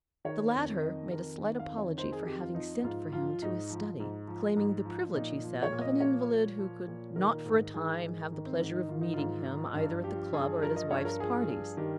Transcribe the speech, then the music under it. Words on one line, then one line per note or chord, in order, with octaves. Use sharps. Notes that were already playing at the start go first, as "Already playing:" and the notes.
The latter made a slight apology for having sent for him to his study--claiming the privilege, he said, of an invalid, who could not for a time have the pleasure of meeting him either at the club or at his wife's parties.
D#3 C#5
F2
D#3 D#5
F2 A#4
D#3
F5
F2
C#5
D#3 C5
G#4
F2 G4
F4
F3 D#4
G#2 F4
F3 F4
G#2 D#4
F3
G#2
F3
G#2
F3
A#2 D#4
F3
C#5
A#2
D#5
F3 C#5
A#2
F3
A#2
D#3 A#4
G#2
D#3 G#4
G#2
D#3
C4
G#2
D#4
D#3 F4
D#4
G#2 F4
F3
G2
F3 G4
G2 G#4
F3 A#4
D#5
G2 C#5
A#4
F3 G#4
G2
D#3 G4